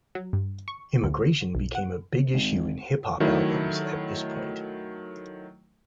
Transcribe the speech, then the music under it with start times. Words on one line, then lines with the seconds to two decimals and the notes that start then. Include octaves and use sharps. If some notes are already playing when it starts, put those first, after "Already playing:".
Immigration became a big issue in hip hop albums at this point.
0.15 F#3
0.33 G2
0.68 C#6
1.03 D2
1.55 B1
1.75 F#5
2.33 G#1
3.20 D#3 F#3 A3 E4